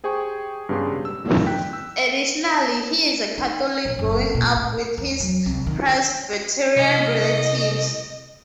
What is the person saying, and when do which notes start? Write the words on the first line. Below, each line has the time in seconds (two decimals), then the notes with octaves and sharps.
Additionally, he is a Catholic growing up with his Presbyterian relatives.
0.04 G4 G#4 C5 G5 C#6
0.69 G2 C#3 B3 G4 G#4 C6
1.05 E6
1.47 G5 F#6 B6
1.73 E6
3.38 D#4
3.85 A#1
3.99 F#1
4.34 A#2
4.57 A2
4.98 E2
5.20 F#3
5.46 C2
5.67 D#3
6.77 C2 D#5